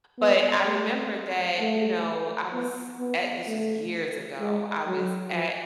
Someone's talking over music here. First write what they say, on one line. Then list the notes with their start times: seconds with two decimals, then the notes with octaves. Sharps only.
but I remember that, you know, I was at this was years ago. I was at
0.19 B3
0.65 A3
1.59 A3
2.53 B3
2.99 B3
3.47 A3
4.40 G#3
4.87 F#3
5.33 F3